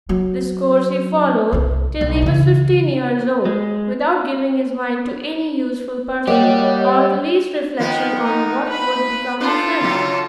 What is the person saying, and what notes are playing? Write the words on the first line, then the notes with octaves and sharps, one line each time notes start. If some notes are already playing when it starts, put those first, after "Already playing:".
This course he followed till he was fifteen years old, without giving his mind to any useful pursuit, or the least reflection on what would become of him.
F#3
C2 E4
B1
C#3 E3
G#3
G3 A#3 G4 C#5 D#5 F#5
D#3 F3 B3
D#4
B4 B5
D4 F4 A4 B4 C5
C#3 F#3